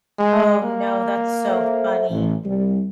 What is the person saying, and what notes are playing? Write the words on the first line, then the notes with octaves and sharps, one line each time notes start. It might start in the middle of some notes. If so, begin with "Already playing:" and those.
Oh, no. That's so funny.
G#3
A#3
A4 C5 E5
A1
C2 G3